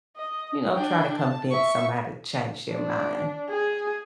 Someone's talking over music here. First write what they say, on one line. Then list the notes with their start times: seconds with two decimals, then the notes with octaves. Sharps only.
you know, try to convince somebody to change their mind.
0.17 D#5
0.74 D4 G5
1.18 A5
1.51 E5 C#6
2.73 D4
3.50 G#4